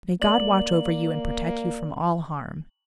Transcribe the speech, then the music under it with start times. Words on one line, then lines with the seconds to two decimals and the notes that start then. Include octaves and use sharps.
May God watch over you and protect you from all harm.
0.22 A#3 D5 F#7